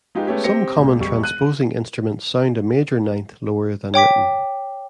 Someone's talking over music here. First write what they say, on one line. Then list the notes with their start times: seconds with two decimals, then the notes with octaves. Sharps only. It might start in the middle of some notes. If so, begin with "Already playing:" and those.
Some common transposing instruments sound a major ninth lower than written.
0.15 G#3 D#4 F4 G4 B4
0.27 G#3 A3 B3 C#4 G4
0.44 C4 G4 A#6 C#7
0.77 C#2 A#2
0.99 E1 G3 C#6
1.23 F#6 D#7
3.94 C#5 G5 D6 B6